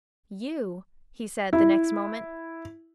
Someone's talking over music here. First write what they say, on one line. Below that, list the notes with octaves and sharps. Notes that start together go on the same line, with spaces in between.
"You?" he said, the next moment.
E4